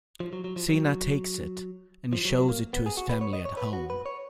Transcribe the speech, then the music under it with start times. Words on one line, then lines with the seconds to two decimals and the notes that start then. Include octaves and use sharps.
Seina takes it, and shows it to his family at home.
0.20 F3
0.33 F#3
0.44 F#3
0.56 F3
0.69 F#3
2.13 F3
2.25 F#3
2.37 F#3
2.49 A#3
2.73 B3
2.86 G#4
2.97 F#4
3.09 B4
3.21 C#5
3.33 D#5
3.45 C#5
3.57 B4
3.73 F#4
3.90 B4
4.06 C#5